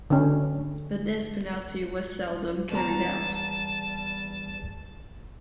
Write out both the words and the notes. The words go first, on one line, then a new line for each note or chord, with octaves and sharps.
The death penalty was seldom carried out.
D3 C#4
E2 G3 A5 A#5